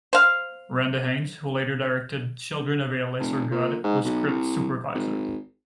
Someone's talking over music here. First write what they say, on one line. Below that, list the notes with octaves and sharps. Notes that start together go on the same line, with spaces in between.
Randa Haines, who later directed "Children of a Lesser God", was script supervisor.
C5 F5
F1
A#2
G#2
B1
C2
G#1